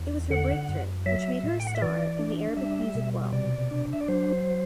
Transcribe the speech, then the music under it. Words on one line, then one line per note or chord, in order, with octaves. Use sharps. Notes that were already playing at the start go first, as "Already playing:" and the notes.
It was her breakthrough, which made her a star in the Arabic-music world.
Already playing: E2
D3 F#5
F#2
F#3 E5
A2
G5
F#5
E5
E3 D5
D4
G3 E5
B2
C3 D5
D4
E5
D5
F#3 C5